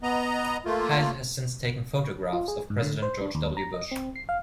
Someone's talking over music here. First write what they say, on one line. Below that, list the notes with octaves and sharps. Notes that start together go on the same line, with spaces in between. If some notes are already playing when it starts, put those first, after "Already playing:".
Heisler has since taken photographs of President George W. Bush.
B3 D#5 A#5
A3 A#3 F4
F4
G#4
G#2
D3
C5
D4
D#2
A#5
D#5
C4
C7
F5